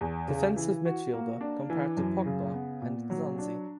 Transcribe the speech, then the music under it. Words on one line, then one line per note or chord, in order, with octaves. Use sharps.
Defensive midfielder compared to Pogba and Nzonzi.
E2
C#3
E3
F#4
A#3
D4
E3
F#2
C#3
B3
A#2
F#3
D4